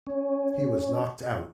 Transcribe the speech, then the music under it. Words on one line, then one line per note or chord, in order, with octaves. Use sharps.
He was knocked out.
C#4